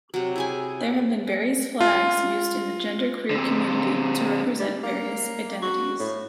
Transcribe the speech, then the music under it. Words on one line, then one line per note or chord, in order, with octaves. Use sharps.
There have been various flags used in the genderqueer community to represent various identities.
C3 F#3
E4 G#4 G#5
F4
D3 C4
G3
A#3
F#4
A2